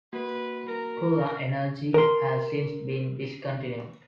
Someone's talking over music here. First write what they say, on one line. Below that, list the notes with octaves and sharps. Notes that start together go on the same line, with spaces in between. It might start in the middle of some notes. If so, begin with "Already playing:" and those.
Coolah Energy has since been discontinued.
A#3 F#4 B4
A#4 A#5
A#4 C6